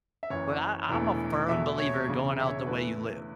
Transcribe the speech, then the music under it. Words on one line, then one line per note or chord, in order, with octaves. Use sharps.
but I I'm a firm believer going out the way you live,
E5
F#1 F#2 E3 C#5
E1 E2 E3 A3
E2 B2 A3 E5
C#5
E1 E2 C#3
E5
C#5
E2 E3 A3 B4